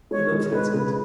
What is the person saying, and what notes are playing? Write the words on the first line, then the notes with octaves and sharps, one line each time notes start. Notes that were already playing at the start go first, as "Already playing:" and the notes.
He looked at it.
G#3 C#5
G#3
G#3 B4
C#3